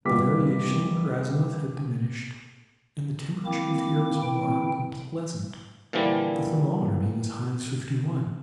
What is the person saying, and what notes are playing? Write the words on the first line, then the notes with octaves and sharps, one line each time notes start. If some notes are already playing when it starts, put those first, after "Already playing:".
The variation per azimuth had diminished, and the temperature of the air was mild and pleasant, the thermometer being as high as fifty-one.
F#1 G3 B3 F4 D6 B6
D#3 A#3 C4 E4 D6
E3 C4 E4 G5
A#2 D3 E3 F3 G3